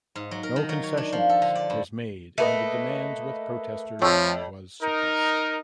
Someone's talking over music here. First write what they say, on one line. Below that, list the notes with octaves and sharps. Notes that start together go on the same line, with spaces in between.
No concessions was made and the demands with protesters was suppressed.
G#2
F#3
A#4
D#3
F#3
C#5
D4
F3
A4
D3
D5
G2
A3 A#3 B4 D#5
F2 F3 C#5 G5 A5 C#6 E6
D#4 A#4